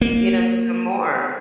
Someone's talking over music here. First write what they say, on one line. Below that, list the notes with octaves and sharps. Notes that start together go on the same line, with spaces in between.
to get 'em some more.
A#3